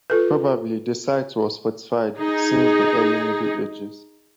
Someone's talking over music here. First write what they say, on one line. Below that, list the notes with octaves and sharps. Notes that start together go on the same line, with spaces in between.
Probably the site was fortified since the Early Middle Ages.
F4 A4 B4
D#4 G#4